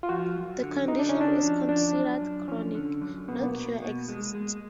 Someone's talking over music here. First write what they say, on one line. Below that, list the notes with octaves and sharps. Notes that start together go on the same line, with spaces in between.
The condition is considered chronic; no cure exists.
F4
F3 F#4
F#2
D3
D3 D#4
D4
C#4
D3
D4
F3
F3 D4
F#2
F#2
F3 C#4
D3
F#2
B2 B3
A#3
B3
B2
B2
G#3
G#3